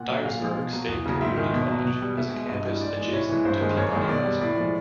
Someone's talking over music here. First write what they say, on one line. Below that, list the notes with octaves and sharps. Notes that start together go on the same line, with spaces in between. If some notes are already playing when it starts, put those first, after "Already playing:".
Dyersburg State Community College has a campus adjacent to Peabody High School.
Already playing: A#2 F#5
F#3
A#2 F5
F3 G#3
B2
F#3
E2
C#3 F#3
G#2 E5
D#3 G#3
B2
F#3
B2
G3
B2 E5
G#3
G2 D#5
E3 G3
G#2 D5
E3 G#3
A2 C#5
E3 G#3
G2 C5
D#3 G#3
F#2 C#5
D#3 G#3
B2 D5
G3
A2 D5
F3 G#3